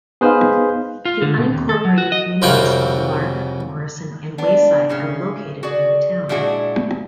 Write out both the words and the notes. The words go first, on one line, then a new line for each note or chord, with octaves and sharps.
The unincorporated communities of Lark, Morrison, and Wayside are located in the town.
B3 D#4 G#4 B4 C5 F5
F4
D3
B2
D#2
A4
F#3
F#4
D#5
C2 F2 C#3 F4 F#4 G5
B3 D4
A2 C#3 C#4
F#4 G#4 D5
A#2 G#3 D4 E4 F#4 G#4